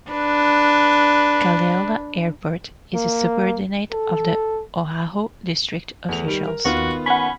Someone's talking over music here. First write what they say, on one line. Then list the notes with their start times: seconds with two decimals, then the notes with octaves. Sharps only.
Kalaeloa Airport is a subordinate of the Oahu District officials.
0.11 D4 B4
2.94 A#3
3.92 A4
6.08 E2 A3 F7
6.26 D#3 G3
6.47 A#4
6.65 D#2 D#3 B3 F4 F#4
7.06 C#4 F#5 B5